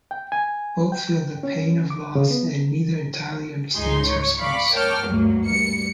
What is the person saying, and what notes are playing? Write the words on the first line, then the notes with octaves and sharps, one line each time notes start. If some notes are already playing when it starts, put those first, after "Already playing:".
Both feel the pain of loss and neither entirely understands her spouse.
G5
G#5
G5
C#4
D6
C#3
B3
C#2 G#2 D#4 G#4 C6
C#5
D5 F5 B5 C#6 D6
A#4 C#5 G5 A5 D6 F6
D2 G2 F#3 A#3
G3 C#7